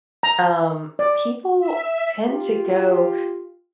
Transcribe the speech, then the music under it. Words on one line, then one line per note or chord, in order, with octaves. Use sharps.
um, people tend to go
A#5
D5
E5
F4 G4